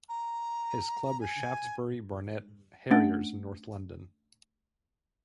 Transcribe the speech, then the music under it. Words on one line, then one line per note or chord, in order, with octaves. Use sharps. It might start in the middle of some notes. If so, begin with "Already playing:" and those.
His club is Shaftesbury Barnet Harriers in North London.
A#5
G#5
A3 C#4 D4 F#5 A6 D7